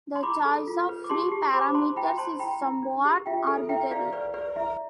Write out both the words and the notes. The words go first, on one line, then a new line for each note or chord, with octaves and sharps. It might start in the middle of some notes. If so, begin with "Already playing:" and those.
The choice of free parameters is somewhat arbitrary.
C6
E4 B5 D6
A4
F4
B4
D6
G4 A5 C6
G4
C5 B5 D6
C5 A5 C6
E4 G5 B5
C5 A5 C6
E4 G5 B5
E4
D4
G4
F4 E5 G5
A4
E4 E5 G5
E4 D5 F5
B4 D5
B4 D5
E4 E5